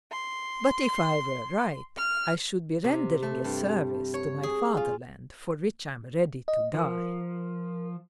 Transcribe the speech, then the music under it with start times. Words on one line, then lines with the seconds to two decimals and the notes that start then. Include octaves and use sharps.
"But if I were right, I should be rendering a service to my Fatherland for which I am ready to die."
0.11 C6
1.97 F6
2.84 C3
3.22 A3
3.44 G2
4.14 C#5
4.43 G#4
4.77 F4
6.48 D#5
6.74 F3 A#4